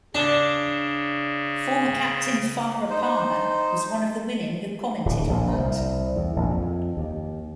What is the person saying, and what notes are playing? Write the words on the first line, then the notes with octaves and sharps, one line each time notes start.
Former captain Farah Palmer was one of the women who commented on that.
C#3 D4 A5
D#4 C5
D1
A#1
C2
E2
A#1
F2
D#2